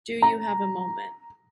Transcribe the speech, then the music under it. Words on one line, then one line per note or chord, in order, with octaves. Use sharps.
Do you have a moment?
A#5